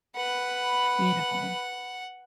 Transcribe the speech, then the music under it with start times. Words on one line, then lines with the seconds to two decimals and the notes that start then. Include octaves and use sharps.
You know?
0.16 B4 F#5 B5